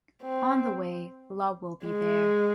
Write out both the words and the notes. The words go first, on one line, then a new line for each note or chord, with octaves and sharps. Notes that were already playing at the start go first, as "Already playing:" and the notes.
On the way, love will be there.
C4
G#3